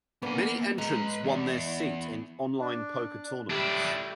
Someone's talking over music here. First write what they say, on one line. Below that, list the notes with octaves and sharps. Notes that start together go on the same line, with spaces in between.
Many entrants won their seat in online poker tournaments.
A#3 B3 D4 B4 G#5
G#3 B4 A#5
E2
D4
G3 A3 D4 E4 G4